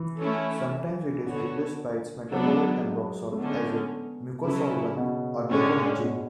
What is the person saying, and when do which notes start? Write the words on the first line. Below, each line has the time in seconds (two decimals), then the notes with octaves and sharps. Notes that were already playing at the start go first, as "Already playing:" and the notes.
Sometimes it is replaced by its metabolite ambroxol, as in Mucosolvan or Mucoangin.
Already playing: E3
0.19 A3 C#4 E4 A4
1.26 D3 B3 F#4 A4 C#5
2.32 F#3 B3 D4 A4
2.43 G#3
2.54 F#3
3.32 A3
3.38 D3 G#3 B3 C#4
4.44 C#3 F#3 C#4 E4 A4
4.97 B2
5.51 A2 D3 G#3 C#4
6.03 B2